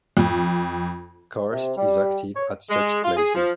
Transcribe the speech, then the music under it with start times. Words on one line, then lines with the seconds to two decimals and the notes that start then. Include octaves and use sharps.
Karst is active at such places.
0.17 F2
1.51 C3
1.76 G3
2.35 C#5
2.70 G#3
3.04 F4
3.17 G#4
3.35 F3